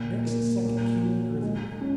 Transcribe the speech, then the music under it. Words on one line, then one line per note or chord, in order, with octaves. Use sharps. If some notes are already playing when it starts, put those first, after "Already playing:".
Next second came the earthquake.
Already playing: A#2 F4
A#3
A#2
F#3
G#3
C#4